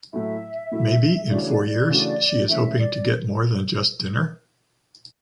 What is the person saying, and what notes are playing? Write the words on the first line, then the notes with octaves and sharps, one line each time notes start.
Maybe in four years she is hoping to get more than just dinner?
A2 F#3 A3 E4 E5
A2 F#3 A3 E4
C#3 E3 A3 D4 F#4 D5
C#5
D5
C#3 E3 A3 D4 F#4
E3 A3 C#4 E5
D5